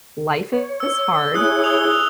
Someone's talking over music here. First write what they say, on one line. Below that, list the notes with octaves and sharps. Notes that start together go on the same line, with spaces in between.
life is hard,
C#5
E6
E4 G#4 C#5 D#6 F#6
D#6 F7 G7